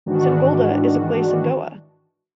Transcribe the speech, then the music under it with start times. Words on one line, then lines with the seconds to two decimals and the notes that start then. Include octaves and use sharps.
Sangolda is a place in Goa.
0.06 G#2 D#3 E3 D4 F#4